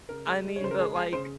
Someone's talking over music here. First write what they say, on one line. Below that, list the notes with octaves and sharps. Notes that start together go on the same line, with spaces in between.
I mean, but like
C#3 A#4
G#3
G#3
C#5
C#3 C5
A#4
G#3 G#4
G#3 G#4
C#3 C5